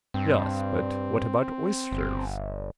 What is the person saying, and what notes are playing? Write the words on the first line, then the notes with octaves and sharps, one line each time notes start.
Yes but what about oysters.
G2 C4
G1